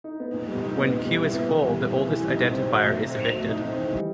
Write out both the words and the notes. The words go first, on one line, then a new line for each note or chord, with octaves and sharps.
When Q is full the oldest identifier is evicted.
D#4
B3
A#2
G3
D#4
B3
A#2
G3
E4
B3
E3
G3
E4
B3
E3
G3
D#4
C4
F#3
A3
D#4
C4
F#3
A3
D#4
C4
E3
G3